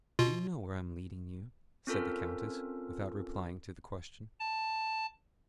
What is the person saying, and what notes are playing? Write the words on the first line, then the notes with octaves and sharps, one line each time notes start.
"Do you know where I am leading you?" said the countess, without replying to the question.
B2 F4
C4 C#4 F4 A4 A#4
A5